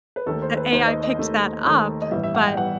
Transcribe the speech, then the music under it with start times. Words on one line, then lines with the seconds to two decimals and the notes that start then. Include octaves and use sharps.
that AI picked that up, but,
0.16 B4
0.26 D#2 D#3 A3 A4
0.42 C5
0.57 B4
0.72 D#2 D#3 A3 C5
0.88 D#5
1.03 D#5
1.19 D#2 D#3 A3
1.65 D#2 D#3 A3
2.02 D#5
2.11 A1 G2 E3 G3 B3 E5
2.23 E5
2.35 F#5
2.46 G5
2.57 E3 G3 B3 F#5